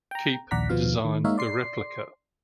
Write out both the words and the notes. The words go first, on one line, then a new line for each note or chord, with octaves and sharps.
Keep designed the replica.
G5 A#5
A#1 D#2 D5 F#5 A#5 B6
D#2 B2 F3 B3 F4 F5
D#3
G#3 A#3 D#4 C#5 E5 F5
D5 C6 C7